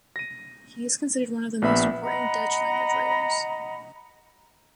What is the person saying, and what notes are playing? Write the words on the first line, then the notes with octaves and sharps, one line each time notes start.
He is considered one of the most important Dutch language writers.
A#6 D#7
A#1 B3 E5 B5
D#5 F#5 A#5 B5